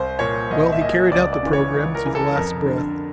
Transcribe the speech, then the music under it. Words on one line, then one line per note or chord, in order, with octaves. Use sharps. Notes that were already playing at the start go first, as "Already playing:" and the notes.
Well, he carried out the programme to the last breath.
Already playing: C2 C5
A#2 C#5
C2 D#5
E5
A#2 D#5
C#2 D5
D5
C#3 E3
C#5
C#2
A#4
C#3 E3
A4
F2 A#4
D3